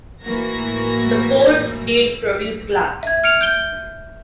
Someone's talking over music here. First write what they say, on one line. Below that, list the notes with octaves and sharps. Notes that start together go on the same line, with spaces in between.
The port did produce glass.
A2 E3 A#3 F#4 A#6
E5 G#6
F6 C#7 D7 F7
G6 D7 G7